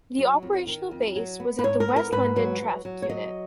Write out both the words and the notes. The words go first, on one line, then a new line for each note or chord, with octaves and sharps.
The operational base was at the West London Traffic Unit.
F#3
F2
D#3
F2
F#3
B3
B4
G#2 C#5
A#4
B3
A#4
G#2 B4
F#3
F#3
F#3
C#5
F#3 D#5